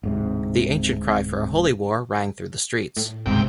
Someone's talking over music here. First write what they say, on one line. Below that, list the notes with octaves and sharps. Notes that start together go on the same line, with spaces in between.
The ancient cry for a Holy War rang through the streets.
D1 G#2 C3
A2
G1 C#2 G#2 C3 G5